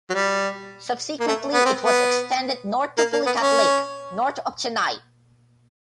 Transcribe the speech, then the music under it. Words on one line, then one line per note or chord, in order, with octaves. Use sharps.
Subsequently, it was extended north to Pulicat Lake, north of Chennai.
F#3
G3
A#3
A3
B3
C4
B3
A#3
A#3
B3
C#4